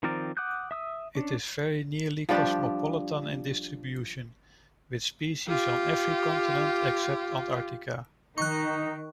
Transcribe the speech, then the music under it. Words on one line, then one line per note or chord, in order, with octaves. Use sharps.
It is very nearly cosmopolitan in distribution, with species on every continent except Antarctica.
D#3 F3 C4 A#4 D5
F#5 D6 D#6 F#6 G6
E5 D#6 E6
C#4 D4
F3 G3 D4 G4
F4 G4
D#3 D#4 C#6 F#6